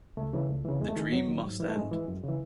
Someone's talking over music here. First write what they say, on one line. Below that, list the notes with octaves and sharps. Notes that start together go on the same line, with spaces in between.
The dream must end.
C#2 A3
C#3 E3
C#2
C#3 E3
E2 G#3
A3
D#3 G#3
E2 F#3
D#3
G#2
E3
A3
G#2 G#3
E3
F#2
C#3 E3